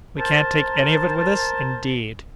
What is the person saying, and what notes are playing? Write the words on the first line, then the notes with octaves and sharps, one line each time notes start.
"We can't take any of it with us, indeed?"
A#4 C5 A5